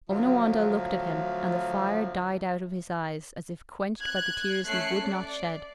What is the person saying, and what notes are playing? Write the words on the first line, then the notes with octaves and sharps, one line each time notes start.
Onawandah looked at him, and the fire died out of his eyes as if quenched by the tears he would not shed.
D2 F3 F#3 E5 F5
F#6 G#6
A3 C#4 F#6 C7 C#7
D5